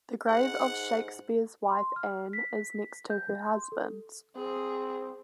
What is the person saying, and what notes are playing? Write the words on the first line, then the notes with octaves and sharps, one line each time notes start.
The grave of Shakespeare's wife Anne is next to her husband's.
G#2 F#5
C6
F6
B6
G6
C6
A4
C4 G#4